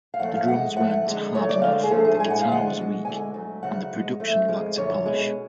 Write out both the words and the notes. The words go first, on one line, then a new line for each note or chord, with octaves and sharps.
The drums weren't hard enough, the guitar was weak, and the production lacked polish.
F5
F#2 F3 A3 F#5
F5
G#2 F3 G#3 F#5
A2 F3 A3 F#5
F#5
F2 D3 G#3
D2 C#3 F#3 A3 C#5
D5
D2 D3 G#3 F5
G#4
D2 D3 F3 A3 A4
G#4
A2 G#3 G#5
F#5
F5
D2 D3 F3 G#3 F#5
B2 G#3
D2 D3 G#3 G#5
G#2 F#3 A3
D2 C#3 F#3 F#5
G#2 G#3
F2 F3 A3
F2 F3 G#3
F#2 D3 F3 C#5
B2 G#3